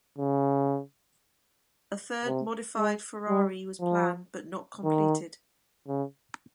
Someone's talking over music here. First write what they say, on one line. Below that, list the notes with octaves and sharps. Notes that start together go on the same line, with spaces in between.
A third modified Ferrari was planned but not completed.
C#3
C3
G#3
G3
F3
D#3
C#3